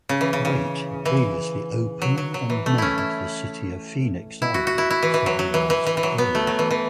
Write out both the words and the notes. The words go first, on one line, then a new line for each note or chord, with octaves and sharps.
Wait previously opened, and named, the city of Phoenix, Oregon several years earlier.
C#3
E3
C#3
C#3
E3
F#3
F#3
F#3
E3
A3
C#4 E4
E4
E4
F#4
F#4
E4
E4
E3
E3
F#3
F#3
E3
E3
E3
E3
F#3
B3
A3
F#3
E3
E3